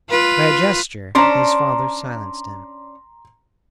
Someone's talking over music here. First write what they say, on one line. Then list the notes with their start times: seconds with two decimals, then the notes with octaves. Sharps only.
By a gesture his father silenced him.
0.10 F4 B4
1.15 C#4 D4 C5 A#5 C6